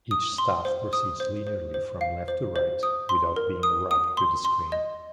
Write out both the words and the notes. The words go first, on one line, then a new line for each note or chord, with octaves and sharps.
Each staff proceeds linearly from left to right, without being wrapped to the screen.
D#6
C6
C5
D#6
C5
C5
C5
F5
C5
C5
D#6
C6
A#4
D#6
D#6
C6
C6
D#5